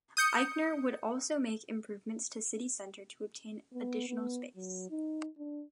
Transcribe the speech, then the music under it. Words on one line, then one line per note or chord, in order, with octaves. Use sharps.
Eichner would also make improvements to City Center to obtain additional space.
D#6 G6 C#7
B3
B3
F#3
D#4
D4